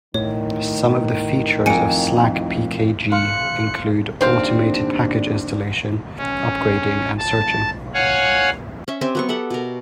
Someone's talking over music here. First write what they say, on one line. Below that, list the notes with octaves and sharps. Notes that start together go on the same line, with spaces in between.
Some of the features of slackpkg include automated package installation, upgrading and searching.
A2 D#3 C#5
F2 A#4 G#5 C#7 D7
F5 C6 F#6 C#7
D#2 C3 C4 D4 C5 F5
C#4
A5
C#5 F5 F#5 G#5
C#4 E5
C4 G4 E5 G#5
F#3 B3 C#6
G4 A4 E5 F#5
B2 A#4